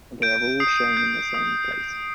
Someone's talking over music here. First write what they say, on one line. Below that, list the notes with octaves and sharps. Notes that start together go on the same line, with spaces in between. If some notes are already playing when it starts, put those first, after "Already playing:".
They are all shown in the same place.
G6 D7
D#6 C7
G6
D#6
G6